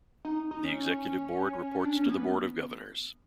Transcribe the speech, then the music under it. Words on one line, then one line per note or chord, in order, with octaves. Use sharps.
The Executive Board reports to the Board of Governors.
D#4
D#4
C#4
D4
C#4
A#3
B3